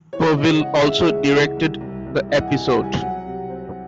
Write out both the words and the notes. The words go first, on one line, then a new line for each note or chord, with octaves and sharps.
Povill also directed the episode.
E3 C#5
C#3 D#5
G#3 F#5
G#3 E5
C#2
E3
C2
C2
C2
E3 D#5
F#5
G#5
C3
F#5
C2
G#5
F#3 F#5
C3
C4